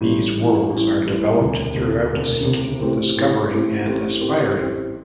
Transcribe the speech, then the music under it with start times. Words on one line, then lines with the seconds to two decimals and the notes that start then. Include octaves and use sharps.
These worlds are developed through seeking, discovering and aspiring.
0.01 A1 A2 E3 G3
0.34 A1 A2 E3 G3
0.70 A1 A2 E3 G3
1.05 A1 A2 E3 G3
1.40 E1 D2 C3
1.75 E1 D2 C3
2.10 E1 D2 C3
2.45 E1 D2 C3
2.80 A1 A2 A3 C4 G4
3.15 A1 A2 A3 C4 G4
3.50 A1 A2 A3 C4 G4
3.85 A1 A2 A3 C4 G4
4.20 A1 A2 A3 C4 G4
4.55 A1 A2 A3 C4 G4